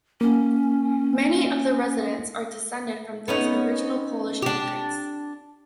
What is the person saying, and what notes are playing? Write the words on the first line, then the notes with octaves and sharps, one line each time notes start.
Many of the residents are descended from those original Polish immigrants.
A#3 C#4
B3 C#4 D#4
D4 G4